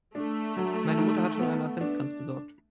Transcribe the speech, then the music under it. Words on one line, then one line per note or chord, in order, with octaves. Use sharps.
Meine Mutter hat schon einen Adventskranz besorgt.
A3 D4
F#3
D#3
B3
D4